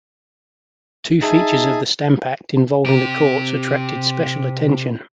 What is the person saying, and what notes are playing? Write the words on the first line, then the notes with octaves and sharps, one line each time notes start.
Two features of the Stamp Act involving the courts attracted special attention.
D#4 G#4 E5 A5
C3 G4